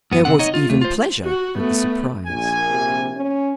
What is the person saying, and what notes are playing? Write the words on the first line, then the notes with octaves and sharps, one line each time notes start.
There was even pleasure with the surprise.
F#2 B3
C3 C4 F#5
D#4 C#5 D#5
F4
D#2 A3
F4 C5
F#4
A3 B3
A#1 G#5
C3
C#4